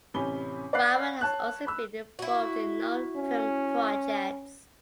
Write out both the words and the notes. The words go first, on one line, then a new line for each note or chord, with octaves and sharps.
Rahman has also been involved in non-film projects.
A1 C3 C#4 G#5 B5 G7
D5 F5 F#5 B5 F#6 C7
C#5 A5 F#6
B5 E6
E4 F#4
C#4